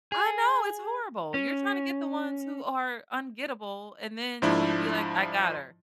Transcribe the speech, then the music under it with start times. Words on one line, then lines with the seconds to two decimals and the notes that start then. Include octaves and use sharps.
I know it's horrible, you're tryna get the ones who are ungettable and then you wanna be like, "I got her."
0.12 G#4
1.34 C#4
4.42 G#2 F3 D4 E4